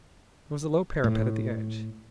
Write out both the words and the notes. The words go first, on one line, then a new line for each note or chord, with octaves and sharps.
There was a low parapet at the edge.
A2